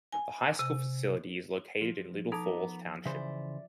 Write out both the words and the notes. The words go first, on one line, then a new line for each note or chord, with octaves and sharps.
The high school facility is located in Little Falls Township.
G#5
C3
F3
B3 D#4 A4 A#5 D6
C#3 E3 C5 D5 E5